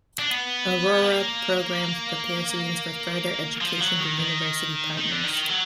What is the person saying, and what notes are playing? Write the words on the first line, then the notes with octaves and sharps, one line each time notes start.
Aurora programs prepare students for further education through university partners.
D4
B3
B3
A#3
F3
F#3
D#3
D#3
D#3
D3
D#3
F#3